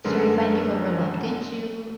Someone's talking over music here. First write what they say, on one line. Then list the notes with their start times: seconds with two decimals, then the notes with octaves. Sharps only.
So, you're finding people are reluctant to
0.04 F#2 D3 F#3 G#3 A#4 B4